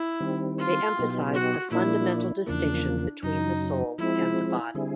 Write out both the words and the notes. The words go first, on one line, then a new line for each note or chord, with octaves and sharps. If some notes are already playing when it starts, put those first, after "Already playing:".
They emphasized the fundamental distinction between the soul and the body.
Already playing: E4
D#3 G3 C4
F4
B2 F#3 B3 D#4 G4
F#4
A#2 F3 A#3 D4 E4
E2 C#3 F3 A#3 D4
F#2 C#3 F#3 D#4
F3 G#3 C4 E4
D3 G3 C4 E4 G#4